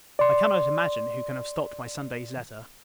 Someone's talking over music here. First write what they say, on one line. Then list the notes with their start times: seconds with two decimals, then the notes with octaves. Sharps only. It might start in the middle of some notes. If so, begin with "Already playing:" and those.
I cannot imagine, who can have stopped my Sunday's letter!
0.19 D5 C6